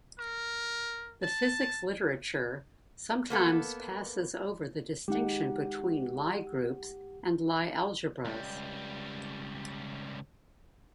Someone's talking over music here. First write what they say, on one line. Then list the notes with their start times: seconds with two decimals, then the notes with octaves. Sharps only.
The physics literature sometimes passes over the distinction between Lie groups and Lie algebras.
0.19 A#4
1.22 A5
3.30 A#3 B3 A4
5.08 G#3 D#4 G4 F#5
8.25 C#2 G3